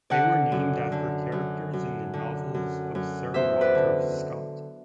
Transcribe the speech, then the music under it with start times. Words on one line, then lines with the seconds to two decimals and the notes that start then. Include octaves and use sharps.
They were named after characters in the novels of Sir Walter Scott.
0.10 D3 D5 F#5
0.52 F#2
0.92 D3
1.32 F#2
1.73 F#2
2.14 D3
2.54 F#2
2.95 F#2
3.34 E2 C5 E5
3.61 B4 D5
3.75 D3